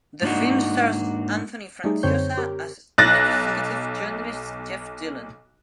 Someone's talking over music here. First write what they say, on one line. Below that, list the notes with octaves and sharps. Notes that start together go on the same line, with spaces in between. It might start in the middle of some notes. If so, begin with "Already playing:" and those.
The film stars Anthony Franciosa as investigative journalist Jeff Dillon.
G#2 A#3 D4 D#4 F#4
G3 A3 D#4 G#4
F#2 D3 C4 C5 C#5 G6
G4 A#4
B1 F#6 A6 A#6